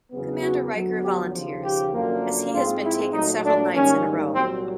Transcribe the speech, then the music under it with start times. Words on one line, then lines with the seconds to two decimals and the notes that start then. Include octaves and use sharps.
Commander Riker volunteers, as he has been taken several nights in a row.
0.11 E2 C#3 F#3 B3
0.41 F#4
0.72 D2 D3 F#3 B3
1.03 G4
1.32 D#2 C#3 F3
1.62 G4
1.92 F#2 D3 F3 A#3
2.52 G#2 F3 G#3 C4 F4
2.83 E4
3.13 A#2 F#3 A3 D#4
3.43 D4
3.73 G#2 D#3 G3 A#3 C#4
4.33 C2 A#2 F#3 C4